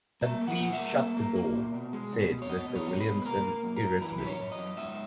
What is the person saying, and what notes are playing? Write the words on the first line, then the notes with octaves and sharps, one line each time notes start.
And "Please shut that door," said Mr. Williamson, irritably.
A#3 E5
A#3
F#5
A#2 F#5
E5
A#3
A#3
A#3
A#3
A#2
B2
G#3
B2
B2
C#5
B2 D#5
B2
C#5
G#3
B4
B2
B4
A#3 A#4
A#3
F#2
A#4
F#2
E3 B4
F#2 B4
C#5
F#2
D#5
F#2
G#2 E5